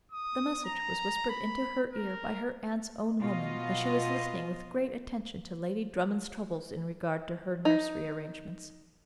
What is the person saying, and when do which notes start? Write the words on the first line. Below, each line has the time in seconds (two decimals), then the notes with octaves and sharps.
The message was whispered into her ear by her aunt's own woman as she was listening with great attention to Lady Drummond's troubles in regard to her nursery arrangements.
0.12 D#6
0.65 A#5
1.29 B5
1.93 A#4
3.20 B2 F4 D#5
7.65 D#4